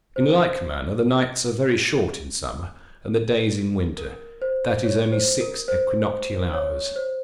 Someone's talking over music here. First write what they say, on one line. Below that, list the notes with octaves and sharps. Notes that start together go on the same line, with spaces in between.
In like manner the nights are very short in summer, and the days in winter, that is, only six equinoctial hours.
C5
A#4
C5
C#5
C5
A#4
C5
C#5
C5